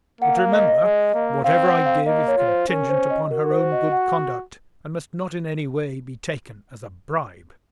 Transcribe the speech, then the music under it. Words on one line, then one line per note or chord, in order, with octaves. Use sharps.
But remember, whatever I give is contingent upon her own good conduct, and must not in any way be taken as a bribe.
A#3 F#5
F5
D#5
D#5
G#3
A#3
C4 F5
F#5
F5
A#3 D#5
C#5
F4
C5
C#4 A#4
C5
D#5
F#4 A#4
C5
D#5
F#5